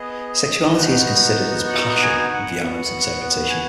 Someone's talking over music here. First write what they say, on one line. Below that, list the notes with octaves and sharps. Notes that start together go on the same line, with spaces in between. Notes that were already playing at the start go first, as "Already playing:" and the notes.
Sexuality is considered as passion in Viano's interpretation.
Already playing: B3 G#4 D#5
B3 D#4 F#4
F#5
G#5
F#5
B3 F#4
G#5